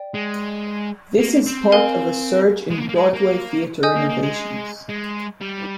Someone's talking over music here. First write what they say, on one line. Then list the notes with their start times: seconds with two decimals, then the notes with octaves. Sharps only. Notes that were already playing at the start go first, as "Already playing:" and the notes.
This is part of a surge in Broadway theatre renovations.
Already playing: D5 G5
0.14 G#3
1.20 A#3
1.47 C4
1.72 A#4 F5 G#5
2.70 G#3
2.78 A#3
2.89 A#3
2.95 G#3
3.13 A#3
3.83 D#5 G#5 D#6 G6
3.96 A#3
4.09 A#3
4.22 G#3
4.89 G#3
5.41 G3